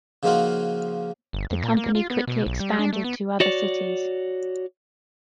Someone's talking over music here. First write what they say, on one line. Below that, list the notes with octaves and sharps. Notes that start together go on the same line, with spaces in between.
The company quickly expanded to other cities.
C#3 F3 A#3 D#4 F4 F#4
G1
F2
A#2
A#3
F4
B3
B2
B1
G3
D4
A3
B3
F#4 C#5 D5